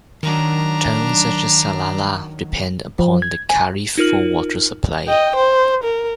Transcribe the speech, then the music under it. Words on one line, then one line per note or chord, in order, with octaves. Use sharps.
Towns such as Salalah depend upon the khareef for water supply.
D#3 F#3 D4 A#5
F3
G#6
G#5
D#4 F4 A#4 F6 F#7
D#5 G5
C5
A#4